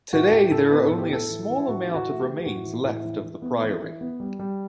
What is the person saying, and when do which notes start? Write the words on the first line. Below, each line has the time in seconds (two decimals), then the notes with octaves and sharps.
Today, there are only a small amount of remains left of the priory.
0.13 A2 F#4
0.32 A2 G4
0.52 A2 A4
0.71 B3 B4
0.84 A4
0.90 A2
0.99 G4
1.10 A2 A4
1.30 E3
1.49 E3
1.58 E4
1.68 A2 F#4
1.88 E3 E4
1.94 F#4
2.07 A3
2.20 G4
2.26 E3
2.38 G4
2.46 A2 F#4
2.65 E3
2.84 A2
3.04 E3
3.23 E3
3.42 B3
3.62 E3
3.82 E3
4.01 B3
4.20 G3
4.39 G3